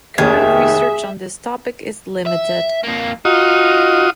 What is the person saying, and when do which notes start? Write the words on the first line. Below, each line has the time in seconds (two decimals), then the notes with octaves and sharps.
Current research on this topic is limited.
0.18 F1 D#2 D#3 G#4 E5 G#6
2.26 E5
2.83 F2 A#3
3.25 D#4 F4 F#4 D#6